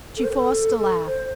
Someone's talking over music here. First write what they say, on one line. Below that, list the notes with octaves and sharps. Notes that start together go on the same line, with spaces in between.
She forced a laugh.
A4
C5
A4
C5